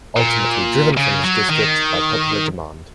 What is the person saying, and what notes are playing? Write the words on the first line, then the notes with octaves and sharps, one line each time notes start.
Ultimately driven from his district by popular demand.
A#2
C#3
F#3
D#3